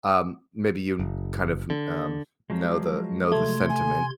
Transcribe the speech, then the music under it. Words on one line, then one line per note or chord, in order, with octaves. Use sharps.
um, maybe you kn kind of n um, know the know the sentiment,
F#1
D3
F3 F#3 G#3
C3 A3 C6 G#6
G#5